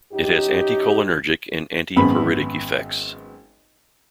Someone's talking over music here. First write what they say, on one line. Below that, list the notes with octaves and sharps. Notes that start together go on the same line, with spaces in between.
It has anticholinergic and antipruritic effects.
F#2 D#4 G4
G#1 F#2 B3 B5